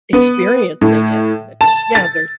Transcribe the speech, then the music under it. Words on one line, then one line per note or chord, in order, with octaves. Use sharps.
experiencing it, and it's yeah, there's
B3
A2
A5
A6